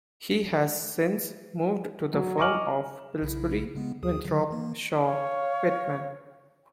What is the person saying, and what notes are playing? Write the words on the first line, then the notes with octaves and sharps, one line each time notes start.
He has since moved to the firm of Pillsbury, Winthrop, Shaw, Pittman.
F#3
D#5 G#5 C#6 D6 F6 F#7
B1 C#3 E4
C#3 G#3 B3
D#2 G#4 D#6
D3 D#3 F#3
E3 A#3
C#5 F5